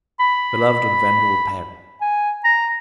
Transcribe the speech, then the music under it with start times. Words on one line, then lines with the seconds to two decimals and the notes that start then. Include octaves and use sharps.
Beloved and venerable parent!
0.20 B5
2.01 G#5
2.44 A#5